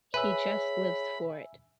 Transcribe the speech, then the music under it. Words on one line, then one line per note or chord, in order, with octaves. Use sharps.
He just lives for it.
G#4 B4 C#5 E5 G#5 B5 E6